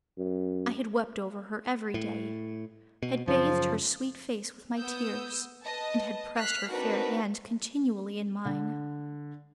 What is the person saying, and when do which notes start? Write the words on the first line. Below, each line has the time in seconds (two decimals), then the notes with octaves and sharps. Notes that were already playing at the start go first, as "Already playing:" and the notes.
I had wept over her every Day--had bathed her sweet face with my tears and had pressed her fair Hands continually in mine--.
0.18 F#2
1.94 A2
3.03 B2
3.27 F#2 C#3 F3
4.79 B3 D#6 E6 G6
5.63 B4 D#5 A5
6.38 F6 F#6 B6 C7
6.71 C4 D4 D#4 F#4 A#4 B4
8.45 D3